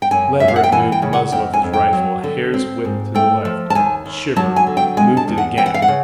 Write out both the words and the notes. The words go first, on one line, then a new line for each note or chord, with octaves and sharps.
Leverett moved the muzzle of his rifle a hair's width to the left, shivered, moved it again.
G5
F#2 G#5
F#2 E5
F5
F#5
G5
E3 G#5
G5
C#3
F#5
F2 G5
G#5
F2
G5
F#3
D3
C4
G#2
A3 G5
F3
A5
D#2 G#5
D#2
F#3 A5
G#5
D3
G5
G#3 G#5
A5
E2
F#5
E3 G5
F#5
F5
F#5
C#3